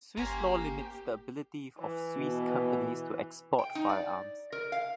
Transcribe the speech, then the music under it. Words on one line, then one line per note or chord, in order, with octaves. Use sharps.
Swiss law limits the ability of Swiss companies to export firearms.
G1 A#3 C#4 G4 C5 G#5 A#5
E3
B2
G5
D#4
D5
A#4
F5